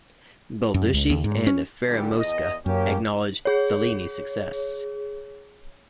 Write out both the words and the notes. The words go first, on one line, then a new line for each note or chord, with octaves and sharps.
Balducci and Fieramosca acknowledge Cellini's success.
F#2
C#2
D#2
G#2
C#4
A#2 D3 G3
E2 D#5
F#2 A#3 C#4 G4
G#4 C#5